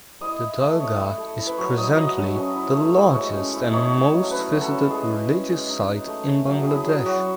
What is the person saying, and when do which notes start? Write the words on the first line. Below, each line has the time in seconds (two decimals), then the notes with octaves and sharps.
The Dargah is presently the largest and most visited religious site in Bangladesh.
0.21 E4 D#5
0.40 E4
0.60 A3
0.80 E4 C#5
0.99 E4
1.18 A3
1.38 E4
1.47 B4
1.58 F#3 C#5
1.77 F#3 D#5
1.97 F#3 D#5
2.16 F#3
2.36 C#4
2.55 E4
2.75 A3
2.94 A3
3.14 G#3 C#5
3.34 C#4
3.54 E4
3.73 D#4 C#5
3.92 D#4
4.12 F#3
4.31 E4 B4
4.51 F#3
4.61 A4
4.71 C#4
4.90 G#3 G#4
5.10 E4
5.30 C#4
5.49 G#3
5.69 D#4
5.88 D#4
6.07 A3
6.27 C#4
6.47 F#3
6.66 E4 G#4
6.86 F#3 G#4
7.05 F#3 F#4